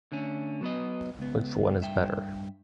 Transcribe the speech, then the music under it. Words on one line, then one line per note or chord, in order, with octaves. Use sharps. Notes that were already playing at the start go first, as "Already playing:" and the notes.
Which one is better?
D3 A3 C#4
F#3 B3 B4 D#5
C#2 B3
G2 E5 G5